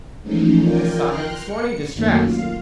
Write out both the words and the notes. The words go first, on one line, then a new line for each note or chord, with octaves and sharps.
I saw her this morning distressed.
E3 F3 G#3 A3 C#4 D#4
F4 A#4 D5 G5 G#5
G5 A#5 C6 F6 F#6
C#7
F#2 D#3 F#3 A3 A#3
F4 F5